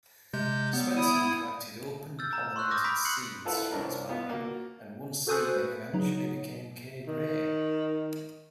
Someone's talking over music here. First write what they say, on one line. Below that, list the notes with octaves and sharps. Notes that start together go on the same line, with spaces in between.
Swenson collected open-pollinated seeds from this vine, and one seedling eventually became Kay Gray.
C3 G#3 G6
F#3 G3 B3
E4 D#6
E6 F6 G6 A6
A#5
C6 C#6 E6 F#6 G6
D6 D#6 F6 G6 A6 A#6
B5 B6 D7
C6 F#6 C7 C#7 F#7
E4 F4 A4 B4 E5 F#5
C2 C#4 D4 A#4
B3 F4
A#3 F#4
F#4 A4 C5 G#5 D#6 F#6
B4
C#3 F#3 D#4
D#3